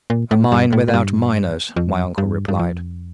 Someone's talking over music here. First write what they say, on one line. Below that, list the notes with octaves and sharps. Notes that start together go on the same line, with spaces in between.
"A mine without miners," my uncle replied.
A#2
A2
G2
A2
A2
G2
F2
G2
G2
F2